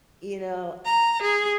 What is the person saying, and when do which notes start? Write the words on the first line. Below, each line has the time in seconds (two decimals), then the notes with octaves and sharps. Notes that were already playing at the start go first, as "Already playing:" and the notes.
you know,
0.86 A#5
1.22 G#4